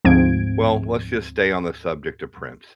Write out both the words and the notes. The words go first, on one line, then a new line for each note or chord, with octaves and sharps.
Well, let's just stay on the subject of Prince,
D2 G#2 F3 C4 G#6 D7